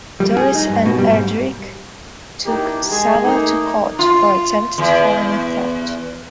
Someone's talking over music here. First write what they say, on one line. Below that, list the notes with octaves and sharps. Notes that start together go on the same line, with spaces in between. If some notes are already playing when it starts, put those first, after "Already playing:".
Dorris and Erdrich took Sava to court for attempted felony theft.
G3
G#4
D#4
G2
B2
G3
G#2
E3 A#3 D4 D#4 G4
G#3 G#4
A3 A#3 D#4
F4
E2